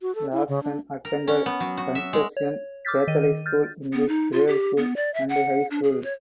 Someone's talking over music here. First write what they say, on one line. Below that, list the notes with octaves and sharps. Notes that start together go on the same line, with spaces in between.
Lacson attended Concepcion Catholic School in his grade school and high school.
F#4
A4
E4
C#3
D4
A#4
C#4
B3
F#3
F#4
E5
G#3
C#5
D6 E6 F6 G6 A6 B6
D#3 D#5 D#7
F6 G6 A6
B3
D#4
F4
G4
B3
D5
E5
F#5
D4
G#4
C#5